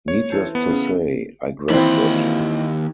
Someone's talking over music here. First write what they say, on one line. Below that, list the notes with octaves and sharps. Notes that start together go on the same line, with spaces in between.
Needless to say, I grabbed it.
C#5
E3 A4 C5
B3
C#3
D#2 E3 C4 B5